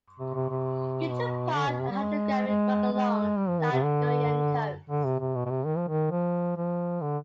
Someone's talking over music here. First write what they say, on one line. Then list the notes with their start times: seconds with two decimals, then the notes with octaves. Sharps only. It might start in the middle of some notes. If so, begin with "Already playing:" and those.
He took part in hydrographic work along the Algerian Coast.
0.19 C3
0.34 C3
0.49 C3
1.10 B2
1.56 D3
1.67 B2
1.79 C3
1.90 G3
2.01 G#3
2.47 G#3
2.92 G#3
3.38 G3
3.48 F3
3.61 D#3
3.72 C3
3.84 D3
4.90 D3
5.04 C3
5.20 C3
5.35 B2
5.45 B2
5.50 C3
5.65 D#3
5.77 F3
5.88 D#3
6.11 F3
6.57 F3
7.01 D3